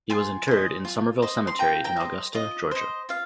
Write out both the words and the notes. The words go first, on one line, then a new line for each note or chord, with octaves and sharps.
He was interred in Summerville Cemetery in Augusta, Georgia.
F4 G#5 C6
C5 D#5
F4
C5 D#5
C6
F4 G5 A#5
G5 A#5
C5 D#5
F4 D#5
C5 D#5
F4 F5